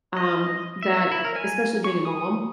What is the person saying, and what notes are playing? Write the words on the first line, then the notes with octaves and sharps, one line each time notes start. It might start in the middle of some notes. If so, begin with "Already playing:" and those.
um, that, e especially being a mom,
D#5
E5
E4
A#4
G#5
C#6
D#6